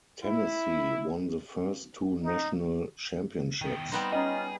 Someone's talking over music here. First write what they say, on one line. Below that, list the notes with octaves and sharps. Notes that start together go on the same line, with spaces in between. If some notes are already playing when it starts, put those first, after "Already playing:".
Tennessee won the first two national championships.
E4
D#4
D#3 B3
G3 B3 C4 D#4 C5
C#4 F4 G#4 D#5 A#5